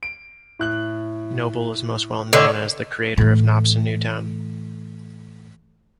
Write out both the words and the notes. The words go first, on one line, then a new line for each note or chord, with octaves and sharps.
Noble is most well known as the creator of "Nobson Newtown".
D7
A2 F#6 F#7
D3 C#5 D#5
A2 E3